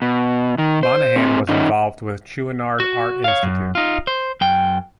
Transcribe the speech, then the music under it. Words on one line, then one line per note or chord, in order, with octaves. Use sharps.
Monahan was involved with Chouinard Art Institute.
B2
D#3
C5
A#2 C4
D#3 C#4 D#4
F#4
C#5 F5
F#2
D#4 F4
C5
F#2 G5